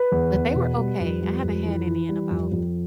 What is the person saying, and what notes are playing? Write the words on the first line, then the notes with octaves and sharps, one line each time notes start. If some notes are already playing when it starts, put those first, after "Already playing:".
But they were okay, I haven't had any in about,
Already playing: B4
E2
E2
B2
G3
F2
G3
F2
E3
E3
G3
F2
F2